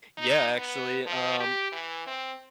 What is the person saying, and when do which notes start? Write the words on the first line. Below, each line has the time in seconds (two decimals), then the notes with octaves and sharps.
Yeah, actually, um,
0.18 D#4
0.58 B3
1.07 F3
1.40 G4
1.72 E3
2.07 C4